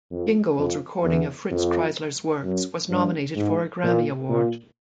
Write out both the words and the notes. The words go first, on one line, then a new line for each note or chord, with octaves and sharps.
Gingold's recording of Fritz Kreisler's works was nominated for a Grammy Award.
F2
F2
E2
F2
F#2
G2
G#2
A#2
A#2